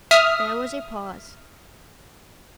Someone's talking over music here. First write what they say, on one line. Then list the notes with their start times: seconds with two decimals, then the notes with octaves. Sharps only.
There was a pause.
0.11 E5 D#6 F6